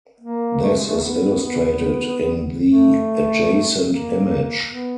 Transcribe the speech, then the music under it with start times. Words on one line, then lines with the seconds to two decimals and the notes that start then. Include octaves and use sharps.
This is illustrated in the adjacent image.
0.21 A#3
0.62 A3
0.75 G#3
0.89 A3
1.02 B3
1.43 B3
2.65 A3
3.86 A#3
4.67 B3